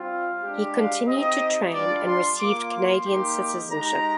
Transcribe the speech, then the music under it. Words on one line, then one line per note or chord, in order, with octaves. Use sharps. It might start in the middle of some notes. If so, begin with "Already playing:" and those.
He continued to train and received Canadian citizenship.
Already playing: G3 C4 F4
F5
G#3 D4 G4
F5
C4 D#4 G4 D#5
G3 D4 F4 D5
C6
A#3 F4 D6
C6
A#3 D#4 G4
G#3 D#4 G4 A#5